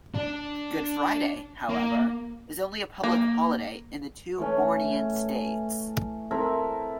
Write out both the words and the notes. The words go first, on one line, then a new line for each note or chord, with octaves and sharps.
Good Friday, however, is only a public holiday in the two Bornean states.
D4
A#3
A#3
E3 A3 C#4
C4 E4 A4 A#4